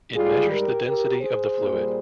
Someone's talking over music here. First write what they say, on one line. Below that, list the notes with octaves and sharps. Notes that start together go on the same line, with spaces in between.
It measures the density of the fluid.
G#2 G3 F4 G#4
G4 A#4
G4 A#4
G#4 C5
A#2 G3